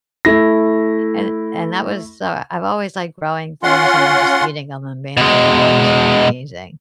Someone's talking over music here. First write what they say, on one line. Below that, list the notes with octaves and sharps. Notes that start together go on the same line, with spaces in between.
and and that was, uh I've always liked growing things and then just eating 'em and being like, "Wow, this is amazing."
A3 E4 A#6
C#4 F4 F#5 C6
B2 G#3